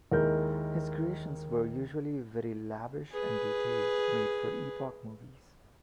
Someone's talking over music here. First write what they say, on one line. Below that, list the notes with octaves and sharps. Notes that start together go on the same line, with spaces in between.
His creations were usually very lavish and detailed, made for epoch movies.
D#2 G#3 E4 A#4 G6
G#4 B4